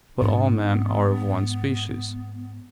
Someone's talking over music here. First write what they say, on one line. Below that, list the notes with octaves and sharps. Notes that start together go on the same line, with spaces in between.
But all men are of one species.
G#2 B3 D4